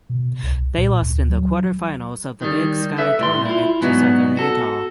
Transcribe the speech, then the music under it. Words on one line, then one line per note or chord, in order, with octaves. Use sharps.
They lost in the quarterfinals of the Big Sky Tournament to Southern Utah.
B2
C2
A#2
D2
F#3
D#3 G3
A4 B4 E5
A2 G3 C6
E4 F4
G#2 F#3 B3 D4 D#4 F#4
F#4 A4